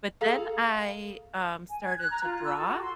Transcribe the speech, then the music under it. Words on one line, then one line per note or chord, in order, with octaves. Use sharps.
but then I, um, started to draw,
G#4 A4 F5 A#5
G#5
G#6
F#6
A#5
F4
E6
A4
F#4
C6